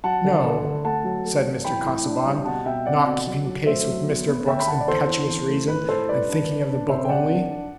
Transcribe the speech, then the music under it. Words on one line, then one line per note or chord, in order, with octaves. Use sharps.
"No" said Mr. Casaubon, not keeping pace with Mr. Brooke's impetuous reason, and thinking of the book only.
F#3 F#5 A5
D3
D3
D2
A3 F#5 A5
F#3
A3
F#3
E3 G5 B5
A2
D4
G3
B2 F#5 A5
B2 E5 G5
C4 D5 F#5
B2
F#3
F#3
A3 C5 E5
F#3
B3
B3
D2 E5 G5
B5
D2 F#5 A5
D5
E2 A4 C5
E2
E2
A3
A2 B4
A2 A4 C5
G3 B4 D5
D4
D4
D4
C3 C5 E5
G5
C3 D5 F#5
D4
D4